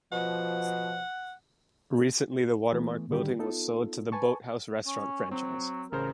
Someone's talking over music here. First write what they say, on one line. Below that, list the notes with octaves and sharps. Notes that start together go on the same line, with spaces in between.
Recently the Watermark building was sold to The Boathouse restaurant franchise.
B2 F3 F#5
E3 A3 B3
A2 D3 D#3 G3 G4
B3 D#4 F4 A4
B4 G#5 A5 C#6
C#4
F#3 C4
A1 C#3 A#4 C5